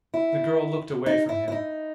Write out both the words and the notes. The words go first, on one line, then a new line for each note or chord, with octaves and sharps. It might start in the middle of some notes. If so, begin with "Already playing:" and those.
The girl looked away from him.
E4
D#4
E4
E4
D#4